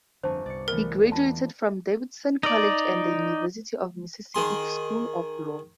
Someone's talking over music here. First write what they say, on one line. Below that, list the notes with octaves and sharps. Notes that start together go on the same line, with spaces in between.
He graduated from Davidson College and the University of Mississippi School of Law.
G1 F2 D3 C5 A5 C#6
C2 D5 C#7
E3 A3 B3 A#4
E2
F4 A5
D#4 D5
D#3 G#4 C6